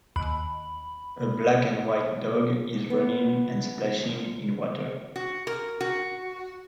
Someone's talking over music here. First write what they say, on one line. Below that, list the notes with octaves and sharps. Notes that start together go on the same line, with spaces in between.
A black and white dog is running and splashing in water.
D#2 B5
B3
F#4
A#4
F#4